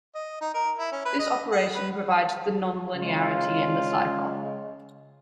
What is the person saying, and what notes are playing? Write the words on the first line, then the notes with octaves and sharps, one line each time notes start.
This operation provides the non-linearity in the cipher.
D#5
D#4
A#4
E4
C#4
B4
D#5
F#5
B4
C#3 G#3 F4